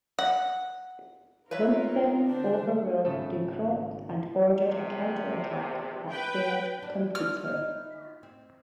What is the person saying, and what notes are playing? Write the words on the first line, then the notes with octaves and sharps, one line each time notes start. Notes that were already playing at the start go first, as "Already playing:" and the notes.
Wimpffen overruled Ducrot, and ordered a counterattack that failed completely.
F#5
D#4 F4 A#4 B4 C#5 E5
D3 D4 C5
G#1 C#3 A3 A4
A#1 E2 C3
B4 G5
D4
F6
D#4 E4 D#5
C4